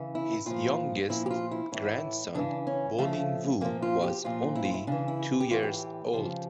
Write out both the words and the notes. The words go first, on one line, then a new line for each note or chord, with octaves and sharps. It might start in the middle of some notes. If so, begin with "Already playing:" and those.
His youngest grandson, Bolin Wu, was only two years old.
Already playing: C#3 E3
E4
A#2 F3 F4
A#2 F3 E4
G4
F4
E4
A2 E3 E4
C#3 E3 D4
C#4
C#3 F3 A3
A#2 F3 A#3
F4
G4
A#2 F3 F4
E4
F4
E4
C#3 E3 D4
E4
G4
A2 E3 F4
G4
C#3 F3